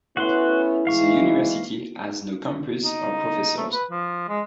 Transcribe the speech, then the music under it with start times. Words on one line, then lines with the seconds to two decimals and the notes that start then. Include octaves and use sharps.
The university has no campus or professors.
0.17 A3 B3 C#4 E4 F#4 B4 C6
0.87 E3 G#3 F5 C#6
2.84 D#4
3.57 A3
3.72 B4
3.90 F3
4.28 G#3